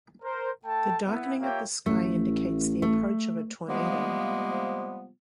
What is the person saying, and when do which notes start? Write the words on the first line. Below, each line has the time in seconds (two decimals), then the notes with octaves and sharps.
The darkening of the sky indicates the approach of a tornado.
0.22 A#4 C5
0.65 A3 A4 G5 A5
1.06 B3 E4
1.40 A#3 F4 G4 C#5 E5 G5
1.86 A1 A3
2.82 A3
3.68 C3 F3 G3 G#3 A#3 B3